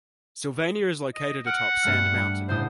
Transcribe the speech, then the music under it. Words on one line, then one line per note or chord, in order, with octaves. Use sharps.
Sylvania is located atop Sand Mountain.
D#5
F#5 F6 A#6 D7
G2 A3 F6
G3 B5
F#1 A2 C5 D#6